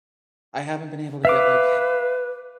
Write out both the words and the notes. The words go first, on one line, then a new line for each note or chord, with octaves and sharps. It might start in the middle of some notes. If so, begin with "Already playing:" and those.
I haven't been able to get, like,
B4 E5 F5 D6